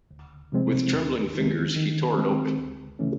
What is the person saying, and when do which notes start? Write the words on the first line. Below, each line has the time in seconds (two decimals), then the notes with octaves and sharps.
With trembling fingers he tore it open.
0.11 D2
0.52 C3 F3 G#3 C4
0.93 D#2
1.35 D#3 G#3
1.76 D#3
2.16 G#3 C4
2.58 D2
2.99 C#3 E3 A3 C#4